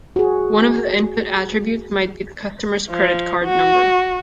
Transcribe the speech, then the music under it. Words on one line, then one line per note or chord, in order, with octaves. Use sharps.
One of the input attributes might be the customer's credit card number.
F#4 G#4
F3
F#4